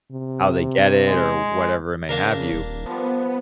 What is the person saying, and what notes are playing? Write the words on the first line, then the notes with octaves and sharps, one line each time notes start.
how they get it or whatever it may have you,
C3
G#3
C#3 A#3 D4 A#4
D#1
F3 G3 B3